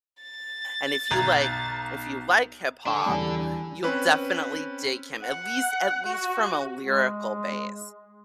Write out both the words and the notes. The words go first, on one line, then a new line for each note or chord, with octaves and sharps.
and if you like if you like hip hop, you'll definitely dig him, at least at least from a lyrical base.
A6
B1 A#5 G#6
D4 A4 E7
E2 G3 G#5 B5
C4 C#4 B4
F#5
F#4
G#3